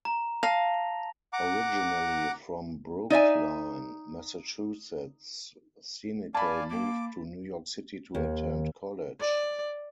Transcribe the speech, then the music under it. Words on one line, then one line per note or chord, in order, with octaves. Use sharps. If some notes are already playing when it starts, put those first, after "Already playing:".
Originally from Brookline, Massachusetts, Senecal moved to New York City to attend college.
A#5
F5 A5 A#6 F7
F#5 A#5 D6
D#4 D5 E5 G#5
D5 F5 G#5 A5 B5
A#3 D6
D#2
D5